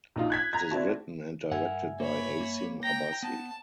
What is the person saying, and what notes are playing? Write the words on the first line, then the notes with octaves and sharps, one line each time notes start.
It is written and directed by Asim Abbasi.
A#1 D#4 F4
F#6 G#6 B6
A#5 G#6
C4 D4 E4 F#4 A5
G2 A#4 E5 F#5 G#5
A#3 C#5 B5
A#3
G5 A#5 A#6
B3 A5